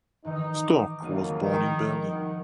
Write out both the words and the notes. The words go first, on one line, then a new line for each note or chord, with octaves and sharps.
Storck was born in Berlin.
G#2 D#3 E3 D#4
D6
G#1 C#2 F#3 A#3 F5 D#7
D#3 F3
D#3 G3 D#4 F#5